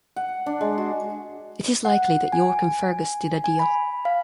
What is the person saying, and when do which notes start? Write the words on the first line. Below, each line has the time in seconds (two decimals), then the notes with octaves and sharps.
It is likely that York and Fergus did a deal.
0.16 F#5
0.46 D4
0.61 G#3
0.78 F#4
1.85 F#5
2.32 G#5
3.44 G#5
3.59 B5
4.05 F5